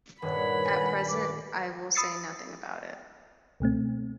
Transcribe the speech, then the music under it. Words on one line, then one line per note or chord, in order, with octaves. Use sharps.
At present I will say nothing about it.
D#1 G2 B4 C#5 F#5 B5
G#5
B4 D6
B5 D#6 E6 A6 C7 C#7
C#2 B2 A3 C4